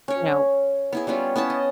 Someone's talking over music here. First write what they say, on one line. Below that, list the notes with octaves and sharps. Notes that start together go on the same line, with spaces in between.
you know,
C#4 C#5
B3 E4 G#4
G3 B3 C#4 F4
B3 C#4 E4 A5
D#5